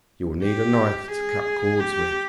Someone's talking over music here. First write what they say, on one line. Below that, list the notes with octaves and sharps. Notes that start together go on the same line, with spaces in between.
You will need a knife to cut cords with.
G4
G#4
G4